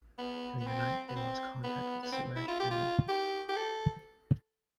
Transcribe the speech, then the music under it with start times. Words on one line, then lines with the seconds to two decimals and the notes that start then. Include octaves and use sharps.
During the night, they lost contact with the submerged enemy.
0.18 B3
0.60 B3
0.67 C4
1.08 B3
1.16 C4
1.64 B3
2.03 B3
2.12 C4
2.36 E4
2.48 F4
2.60 G4
2.71 F4
3.08 G4
3.49 G4
3.56 A4